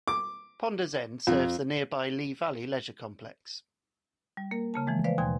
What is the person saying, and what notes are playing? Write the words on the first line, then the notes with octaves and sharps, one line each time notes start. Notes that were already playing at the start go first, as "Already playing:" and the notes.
Ponders End serves the nearby Lee Valley Leisure Complex.
D6
F2
G3
A#3 A#4
C#3 A#3 A5
E3 F3 G#3 A3
B4 C5 D5 F5
D#2 B2 G#5 C6 G#6